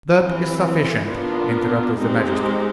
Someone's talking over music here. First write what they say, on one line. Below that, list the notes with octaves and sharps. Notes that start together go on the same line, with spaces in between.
"That is sufficient," interrupted the magistrate.
E3 G3 C4
B3 D4 F4 A#4
G#3 C4 D#4 G4